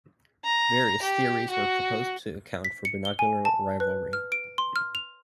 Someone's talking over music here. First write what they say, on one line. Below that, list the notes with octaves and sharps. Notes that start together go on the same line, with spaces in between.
Various theories were proposed to account for binocular rivalry.
A#5
G4
F#4
B6
C#7
G7
G#5
A5
B4
F6
D7
C6
F6
F7